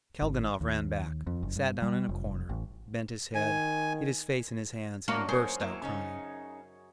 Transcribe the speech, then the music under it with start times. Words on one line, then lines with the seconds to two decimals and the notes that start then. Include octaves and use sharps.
Kalganov ran back, sat down in a corner, bent his head, hid his face in his hands, and burst out crying.
0.22 G#1
0.61 D#2
1.27 F2
1.43 F#1
1.56 G2
1.82 G3
2.09 F1
2.49 A1
3.35 D#3 G#5
5.08 F#2 F#3 A#3 D4 C#6
5.29 A#3 G#4 A#4 C5
5.60 F#3 A#3 E4
5.82 C#3 C#4 D#4